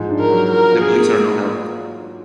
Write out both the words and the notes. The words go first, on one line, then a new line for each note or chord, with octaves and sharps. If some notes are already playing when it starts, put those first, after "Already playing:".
The police are no help.
Already playing: G#2 F3
D4
A#4
F#3
F3 A#4
F4
G#4
A#3